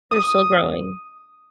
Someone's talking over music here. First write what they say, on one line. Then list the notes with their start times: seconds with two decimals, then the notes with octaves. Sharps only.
They're still growing.
0.11 D#6